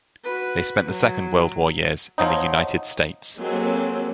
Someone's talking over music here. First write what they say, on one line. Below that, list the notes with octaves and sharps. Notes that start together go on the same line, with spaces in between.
They spent the Second World War years in the United States.
F#4 B4
F#3
F3 F#3 D#4
F#3 G#3 A#3 C4 G4 A4